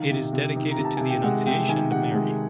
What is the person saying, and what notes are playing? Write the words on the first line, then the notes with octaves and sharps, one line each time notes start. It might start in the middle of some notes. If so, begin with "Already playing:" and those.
It is dedicated to the Annunciation to Mary.
Already playing: D#3 F5
C3
C3
D#3
A#5
C3
A5
C3 G#5
G5
G#3 F#5
C3 G5
D#3 G#5
C3 F#5
G#3